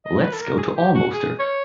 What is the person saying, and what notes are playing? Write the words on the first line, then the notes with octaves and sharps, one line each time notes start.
Let's go to Almoster.
D#5
B4
A4
A#4
G#4
G4
F#4
G#4
C#5